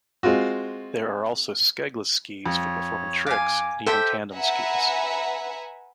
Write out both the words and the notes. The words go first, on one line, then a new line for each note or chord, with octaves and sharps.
There are also skegless skis for performing tricks, and even tandem skis.
G#3 C4 F4 F#4
F2 C#5
F5 G#5 D6
G4 A4 C5 E5 G5
B4 E5 F#5 G#5 A#5